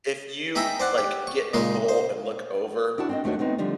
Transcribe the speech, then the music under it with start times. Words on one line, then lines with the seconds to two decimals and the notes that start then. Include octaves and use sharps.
if you, like, get in the pool and look over
0.55 D#4 G#4 E5 G5 A#5
0.80 C5 D5 F#5
0.98 G4
1.27 C#6
1.53 A#2 C#3 G#3 D#4 C6
1.89 C5
2.98 D4 E4 F#4 A5
3.09 C4 D4 D#5
3.24 D#2 A3 D4 D#4 F#4 C#5
3.39 A3 B3 C4 D#4
3.58 D3 F3 G3 A3